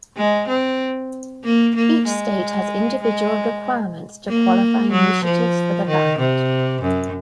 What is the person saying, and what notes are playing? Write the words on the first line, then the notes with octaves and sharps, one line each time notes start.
Each state has individual requirements to qualify initiatives for the ballot.
G#3
C4
A#3
A#3
G#3
G#3
A#3
F#3
F3
D#3
C3
F#2